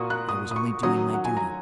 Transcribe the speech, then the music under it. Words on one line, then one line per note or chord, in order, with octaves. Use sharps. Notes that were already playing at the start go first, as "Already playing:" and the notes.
I was only doing my duty.
Already playing: A#2 A#3 F#4 C#6 D#6
F#6
D#6
D#6
C#6
D#3 F#3 C#4 F#4 D#6
F#5
G#5
A#5